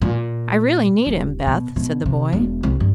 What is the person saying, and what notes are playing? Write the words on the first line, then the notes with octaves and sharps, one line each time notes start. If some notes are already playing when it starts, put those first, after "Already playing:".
"I really need him, Beth," said the boy.
A#2
D#1
B2
B2
C3
E1
C2
G2